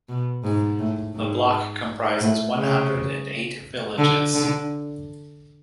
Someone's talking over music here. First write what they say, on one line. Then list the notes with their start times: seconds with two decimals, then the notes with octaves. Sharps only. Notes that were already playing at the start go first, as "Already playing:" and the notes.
The block comprises one hundred and eight villages.
0.08 B2
0.44 G#2
0.79 A2
1.15 G#2
2.21 A2
2.56 C#3
3.98 D3
4.34 D3